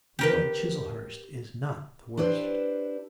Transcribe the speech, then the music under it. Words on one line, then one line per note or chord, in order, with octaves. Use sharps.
Lord Chiselhurst is not the worst.'
G4 A#4 B4
D4 E4 G4 B4 C5